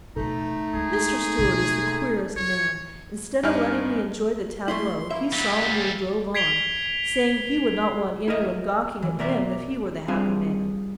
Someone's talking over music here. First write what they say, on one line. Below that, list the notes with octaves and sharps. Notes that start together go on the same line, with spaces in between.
Mr. Stewart is the queerest man: instead of letting me enjoy the tableau, he solemnly drove on, saying he would not want any one gawking at him if he were the happy man.
B2 E3 A3 D#4 A4
G#3 A#3 G#4
B2 A#3
F4 C#5
G2 D4 D#4 G#5 F6
A3 C#4 E4 C6
A#3 E4 E5
F#3 G3 B6
G#4 F5
G#6 B6 C7 D7 F7 G7
E4 A#4 D#5 E5
E3
B2 A#4 D5 E5
G3 C4 D4 F4 G#4